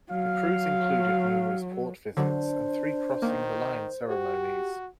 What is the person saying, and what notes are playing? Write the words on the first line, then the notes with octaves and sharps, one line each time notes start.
The cruise included numerous port visits and three crossing the line ceremonies.
F#3 F5
D3 F#3 D4 C5
D#3 A#3
F#4 G4